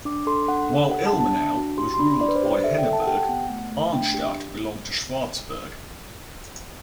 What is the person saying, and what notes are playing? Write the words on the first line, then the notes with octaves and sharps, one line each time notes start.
While Ilmenau was ruled by Henneberg, Arnstadt belonged to Schwarzburg.
D4 D6
A4 C6
D4 F#5
A4
G4 F#5
A5
D4
A5
D4
F#4
G4 C6
C6
D4 B5
D4 D5
B4
C5
G4
D5
A4 E5
G5
A4
A5
F#5
G4 G5
B3 F#5
A3
A3
D4 G5
G4